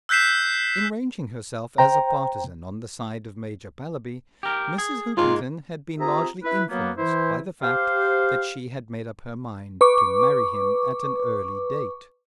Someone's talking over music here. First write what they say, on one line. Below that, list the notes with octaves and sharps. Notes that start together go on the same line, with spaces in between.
In ranging herself as a partisan on the side of Major Pallaby Mrs. Hoopington had been largely influenced by the fact that she had made up her mind to marry him at an early date.
E6 F#6 G6 B6 C7 E7
C5 G5 A#5
G4 A#4
G#4
G#2 G#3 A#3 F4
C4 F4 G4 G#4 E5 A#5
E4 B4
F#3 A#3 B3
E3 E4 C5
G4 C5 F5
B4 C#6 D6